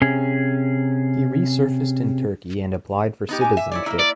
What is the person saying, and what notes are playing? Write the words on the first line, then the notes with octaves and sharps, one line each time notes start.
He resurfaced in Turkey and applied for citizenship.
C3 C#4 G#4
B3 D#4 G4
G#5 D6
E5
E4 C#5 D5
A#3 E4 A#4
D5